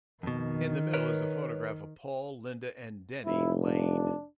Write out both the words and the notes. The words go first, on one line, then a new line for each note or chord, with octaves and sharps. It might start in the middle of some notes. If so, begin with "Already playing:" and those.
In the middle is a photograph of Paul, Linda, and Denny Laine.
F2 B2 D#3
A#4 B4 C#5
F1 E4
D4